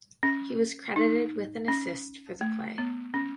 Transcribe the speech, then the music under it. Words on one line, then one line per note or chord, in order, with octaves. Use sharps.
He was credited with an assist for the play.
C#4
D#4
C#4
A3
B3
C#4